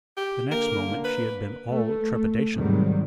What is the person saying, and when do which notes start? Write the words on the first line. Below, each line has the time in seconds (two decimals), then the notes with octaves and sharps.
The next moment she had been all trepidation.
0.17 G4
0.51 D3 A#3 A#4
1.05 B4
1.69 A3
2.54 G#2 C3 D#3 F#3 G3